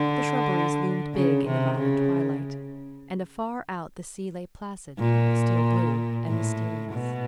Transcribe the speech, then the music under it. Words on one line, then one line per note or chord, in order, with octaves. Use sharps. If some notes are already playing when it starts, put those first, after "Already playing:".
The shrubberies loomed big in the violet twilight and afar out the sea lay placid, steel-blue and mysterious.
Already playing: D3
C#3
C3
C#3
A#2
A2
B2